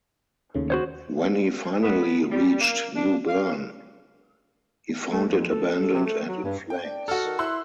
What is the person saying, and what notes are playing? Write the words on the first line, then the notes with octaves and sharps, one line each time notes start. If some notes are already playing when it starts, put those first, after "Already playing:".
When he finally reached New Bern, he found it abandoned and in flames.
D#2 C#3 A3
F#4 C5 C#5
B3
G3
A#3
D4
F5
A3
F2
A4
C3
A3
F#3
G2
G5
D4
F#4 A4 F6
D#3
E4 C6 E6 F#6